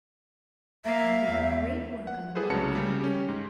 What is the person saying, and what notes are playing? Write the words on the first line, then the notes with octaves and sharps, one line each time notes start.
"Oh, your great work on the monarchy of Italy!"
A#3 E5 F5
E2
F#5
E4 G#4 A4 B4 C5
C2 C#3 F#3 A5 C#7
C#3 G3
C#4 G4
G#2